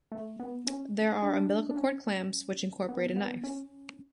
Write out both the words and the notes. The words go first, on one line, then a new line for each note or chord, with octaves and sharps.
There are umbilical cord clamps which incorporate a knife.
A3
B3
C#4
D4
D4
C#4
B3
B3
C#4